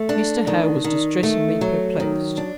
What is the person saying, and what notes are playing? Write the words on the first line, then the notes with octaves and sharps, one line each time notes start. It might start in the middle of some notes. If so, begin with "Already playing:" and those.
Mr. Hale was distressingly perplexed.
Already playing: A3
D4
D#3
D#3
A3
F#3
D#3
D4